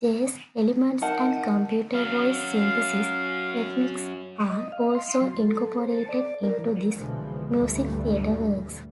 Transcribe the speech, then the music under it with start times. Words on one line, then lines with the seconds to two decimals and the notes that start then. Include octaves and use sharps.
Jazz elements and computer voice synthesis techniques are also incorporated into his music-theater works.
1.01 D#4 A#4 F#5 A5
1.94 F#2 F#3 F5
4.50 D#5
4.72 F5
4.95 C6
5.21 F#3
5.40 A4
5.78 C5
5.95 A5
6.09 D5
6.43 A#4
6.59 E3
6.94 C2 B2 D3 E3 F3 G#3
7.50 D2 G2 A#2 E3 G3 A3